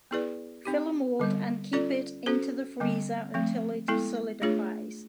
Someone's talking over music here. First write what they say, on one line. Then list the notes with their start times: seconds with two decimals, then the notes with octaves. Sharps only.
Fill a mold and keep it into the freezer until it solidifies.
0.11 B3 E4 G#4 B4 D5
0.65 C4 D#4 G4
1.20 D3 G3 B3
1.73 C#4 F4 A4 D5
2.26 C#4 F#4 A4 C5
2.80 D3 G3 B3
3.34 F3 A3 C4
3.88 G#3 B3 E4 A4
4.42 A3 D4 F4 G#4 C#5